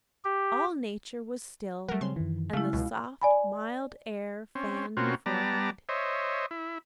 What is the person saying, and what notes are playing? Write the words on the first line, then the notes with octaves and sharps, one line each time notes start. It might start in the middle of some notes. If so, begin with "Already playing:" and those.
All nature was still, and the soft, mild air fanned her forehead.
G4
F#3 G3 A3 A#4 F#5
C#3 C4 C#4 C6
F#2 D#3 E3
C#3 F#3 G#3 A3 E4 F5
C#2 B2
D5 G#5 B5
C4 C#4
B2 A#3 C4 C#4 F4 F#4
G3 B3 D5 A5 A#5
C5 C#5 D#5 E5
E4